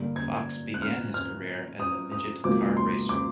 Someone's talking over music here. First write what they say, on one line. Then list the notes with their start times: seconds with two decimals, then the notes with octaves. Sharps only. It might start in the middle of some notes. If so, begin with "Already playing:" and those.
Fox began his career as a midget car racer.
Already playing: G2 D3 G3 A#3
0.16 G#6
0.74 F#6
0.82 F6
1.14 F6
1.80 D#6
2.12 D#6
2.44 C#2 B2 F#3 A#3 D6
2.77 C6
3.09 D6